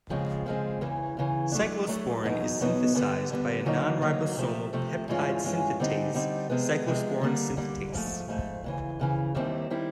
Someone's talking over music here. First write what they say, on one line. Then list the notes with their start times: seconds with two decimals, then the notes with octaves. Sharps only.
Cyclosporin is synthesized by a nonribosomal peptide synthetase, cyclosporin synthetase.
0.10 F2 C#3 F3 G#3 C4
0.46 F2 C#3 F3 G#3 C4
0.81 E2 C#3 E3
1.17 E2 C#3 E3
1.52 F#3 A3 D4
1.88 F#3 A3 D4
2.23 E2 B2 F#3 B3 D#4
2.59 E2 B2 F#3 B3 D#4
2.95 G2 D3 G3 B3
3.30 G2 D3 G3 B3
3.65 D2 D3 F#3 A#3 D#4
4.01 D2 D3 F#3 A#3 D#4
4.37 C3 F3 A3
4.73 C3 F3 A3
5.08 G2 E3 G#3 C#4 F4
5.44 G2 E3 G#3 C#4 F4
5.80 D3 G3 C4 D#4
6.15 D3 G3 C4 D#4
6.50 C3 F3 G#3 B3
6.86 C3 F3 G#3 B3
7.21 D3 G3 A#3
7.57 D3 G3 A#3
7.92 G#2 F3 A3
8.28 G#2 F3 A3
8.64 F2 C#3 E3
8.99 F2 C#3 E3
9.35 D#2 D#3 G3 C4 E4
9.70 D#3 G3 C4 E4